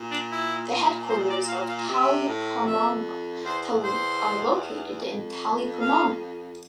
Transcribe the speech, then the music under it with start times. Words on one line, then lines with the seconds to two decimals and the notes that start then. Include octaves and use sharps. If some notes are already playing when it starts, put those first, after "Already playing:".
The headquarters of Taliparamba Taluk are located in Taliparamba.
Already playing: A#2
0.11 D4
0.32 E4
1.10 C5
1.30 D5
1.48 F5
1.68 F5
1.88 C3 E5
2.27 A2
2.66 F2 E5
3.45 E2 C5
3.84 C5
5.01 F2
5.80 F5